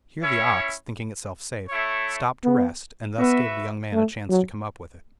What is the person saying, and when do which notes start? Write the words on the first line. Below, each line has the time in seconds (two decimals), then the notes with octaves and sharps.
Here the ox, thinking itself safe, stopped to rest, and thus gave the young man a chance to come up with it.
0.22 C#4 E4 C#5 E5
1.70 A3 E4 C#5
2.44 B3
3.18 B3 F#4 B4 E5
3.93 A3
4.29 F#3